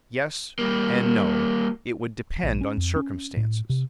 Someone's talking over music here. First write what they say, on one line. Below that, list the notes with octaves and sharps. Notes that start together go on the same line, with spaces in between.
"Yes and no--it would depend on circumstances."
G3 A#3
A#1
C#4
F2
C#4
A2
C3